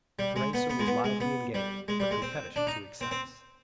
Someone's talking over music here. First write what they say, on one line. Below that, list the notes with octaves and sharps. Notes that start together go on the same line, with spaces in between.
Teresa was lively and gay, but coquettish to excess.
G3
G#3
B3
B3
G#3
B3
G#3
B3
G3
G#3
G3
G#3
C4
D4
D#4
C4
C4